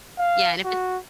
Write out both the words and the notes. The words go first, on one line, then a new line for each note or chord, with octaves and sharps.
Yeah, and if it's
F5
F#4